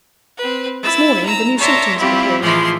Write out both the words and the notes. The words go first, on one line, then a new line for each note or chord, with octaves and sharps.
"This morning the new symptoms have appeared."
C4 B4
E4 E6 A6
A#5 E6
C#5 D5 E5 A5 A#5 C6
G3 C4 E4 F4 G4
A2 E3 F3 G#3 E4 C6